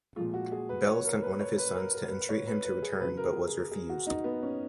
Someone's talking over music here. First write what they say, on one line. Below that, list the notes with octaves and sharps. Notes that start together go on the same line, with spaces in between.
Bel sent one of his sons to entreat him to return, but was refused.
A#2 F3 G#3 F4
F#4
G#4
B4
C#5
A#4
B4
C#5
B4
A#4
A#4
B4
C#5
B4
B4
G#4
C#3 F#3 B4
A#4
G#4
G#4
G#4
F#4
D#4
B3
C#4